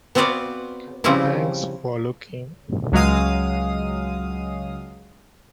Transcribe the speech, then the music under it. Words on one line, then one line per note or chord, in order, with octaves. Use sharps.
Thanks for looking.
B3 C4 F#4 B4 D5 F5
C#3 F3 G3 C4 C#4 E4
C#2 F#3 G#3 F5 D#6